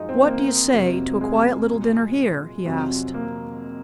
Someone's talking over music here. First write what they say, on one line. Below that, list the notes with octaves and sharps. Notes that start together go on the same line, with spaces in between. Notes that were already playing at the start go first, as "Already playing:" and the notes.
"What do you say to a quiet little dinner here?" he asked.
Already playing: F#2 F3 G#3 D#4 F4
C4
A#3
F2 C3 F#3
G#3
A#2 F#3
F2 C3 F#3
A#3